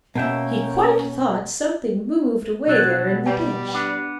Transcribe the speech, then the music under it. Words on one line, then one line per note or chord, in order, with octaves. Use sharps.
He quite thought something moved away there in the ditch.
B2 A#3 C#4 E5 G5
B2 F#3 B3 D4
G3 G5
B3 D4